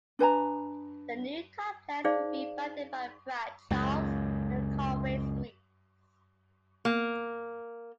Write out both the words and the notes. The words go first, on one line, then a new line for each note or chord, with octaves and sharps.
The new complex will be bounded by Pratt, Charles and Conway Streets.
D4 B4 G#5 A#5
D#4 G#4 C5 D5 F5
C#2 F#2
A#3